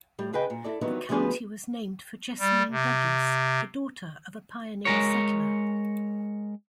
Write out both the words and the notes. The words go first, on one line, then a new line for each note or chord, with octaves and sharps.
The county was named for Jessamine Douglass, the daughter of a pioneer settler.
A2 G3
C#3 G#4 B4 D#5 G5
A#2
E4 A4 D5
D#3 E3 F#3 G3 B3 D#4
D2 F3 G3 B3 G#4 B4
G3
C3
G#3 A#4 C#5